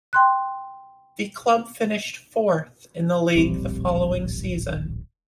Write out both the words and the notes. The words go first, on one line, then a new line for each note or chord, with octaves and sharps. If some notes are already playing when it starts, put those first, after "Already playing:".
The club finished fourth in the league the following season.
G5 C6 F#6
D1 A#1 G3 C4